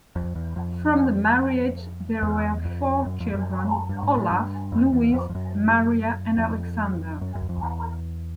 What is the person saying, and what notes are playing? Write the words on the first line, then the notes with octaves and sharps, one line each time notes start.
From the marriage there were four children, Olaf, Luise, Maria and Alexander.
F2
E2
F2
E2
F2
F#2
F2
F#2
G2
G#2
A2
G2
F2
E2
F2
F2
F#2
F2
F#2
F#2
F2
E2